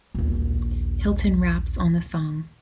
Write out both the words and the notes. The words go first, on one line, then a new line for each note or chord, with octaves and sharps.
Hilton raps on the song.
A#1 D#2